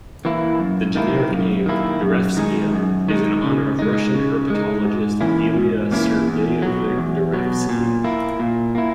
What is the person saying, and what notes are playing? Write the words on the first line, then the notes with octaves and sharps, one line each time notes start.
The generic name, "Darevskia", is in honor of Russian herpetologist Ilya Sergeyevich Darevsky.
E3 A#3 E4
F#2
D#3 A#3 E4
F#2
D#3 A#3 E4
F#2
D#3 G#3 D#4
F#2
D#3 G#3 D#4
C#3
G#3 D#4
C#3
G#3 D#4
G#2
E3 A#3 C#4 E4
G#2
E3 A#3 C#4 E4
E2
B2 F#3
E2
B2 F#3
A#2
A#3 E4
A#2
A#3 E4